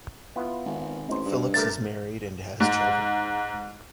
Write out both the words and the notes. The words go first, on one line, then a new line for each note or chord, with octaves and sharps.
Phillips is married and has children.
B3 E4 F4
G#1
A1 D#4 C5
G2
C3 A3 A#4 A6
G#2